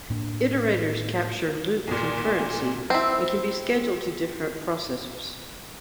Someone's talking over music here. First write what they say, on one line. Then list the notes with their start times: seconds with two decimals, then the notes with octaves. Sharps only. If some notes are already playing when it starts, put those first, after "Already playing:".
Iterators capture loop concurrency and can be scheduled to different processors.
0.10 A2 A#3 D4
1.87 B1 A#2
2.90 C4 E4